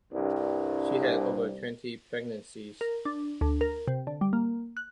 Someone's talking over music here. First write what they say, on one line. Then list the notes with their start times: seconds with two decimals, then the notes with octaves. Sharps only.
She had over twenty pregnancies.
0.12 C2 G2
2.81 A#4
3.05 D4
3.41 D2
3.61 A#4
3.88 C3
4.07 D3
4.21 G3
4.33 A#3
4.77 F#6